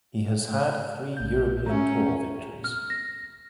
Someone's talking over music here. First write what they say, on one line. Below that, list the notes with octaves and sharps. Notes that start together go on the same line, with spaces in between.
He has had three European Tour victories.
A#1 G6
C#4 E5 A#5
F6
A#6